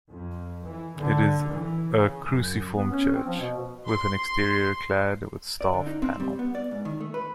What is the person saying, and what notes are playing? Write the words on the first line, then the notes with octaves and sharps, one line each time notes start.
It is a cruciform church, with an exterior clad with staff panel.
F2
E3
D3
E3
C#3
F#2
B3
C#4
C4
F3
B2
C6
D5
D3
D#4
C4
G3
B3
D5
G#2
D#3
A3
B4